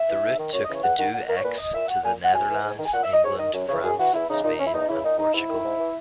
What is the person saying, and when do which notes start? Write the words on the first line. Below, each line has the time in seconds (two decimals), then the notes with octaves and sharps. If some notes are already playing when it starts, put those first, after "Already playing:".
The route took the Do X to the Netherlands, England, France, Spain, and Portugal.
Already playing: E5
0.09 E3
0.24 G#2
0.38 D#3
0.53 F#2 C#5
0.64 D#5
0.69 C#3 E3 C#5
0.83 E2 F#5
0.98 D#3 F#5
1.14 A#2 F#5
1.29 A#4
1.37 C#5
1.43 A#2 B4
1.58 D#5
1.74 A#2 E5
1.88 F#5
2.04 A#2 G#5
2.24 F#5
2.33 F#2 G#5
2.49 E3
2.64 G#2
2.79 D#3
2.86 G#5
2.94 A#2 F#5
3.03 E5
3.13 D#5
3.24 G#2 C#5
3.38 D#3 D#5
3.54 F#2
3.69 C#3 E3 C#5
3.84 F#2 G#4
3.99 E3 F#4
4.14 E2 E4
4.29 C#3 E3 D#4
4.43 A#2 D#4
4.59 C#4
4.67 E4
4.74 E2 D#4
4.89 C#3 E3 E4
5.04 A#2 D#4
5.19 D#4
5.34 G#2 E4
5.50 D#3
5.64 G#2
5.79 E3